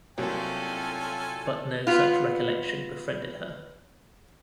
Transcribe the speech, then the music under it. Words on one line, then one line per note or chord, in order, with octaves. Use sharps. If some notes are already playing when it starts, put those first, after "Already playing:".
But no such recollection befriended her.
C2 C3 F#3 A#3 C#4 F4 A4 G#5
B3 F4